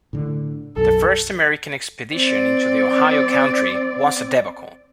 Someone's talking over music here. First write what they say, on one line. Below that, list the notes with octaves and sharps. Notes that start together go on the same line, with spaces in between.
The first American expedition into the Ohio Country was a debacle.
A2 D3
B1 F#2 A4
C4 D5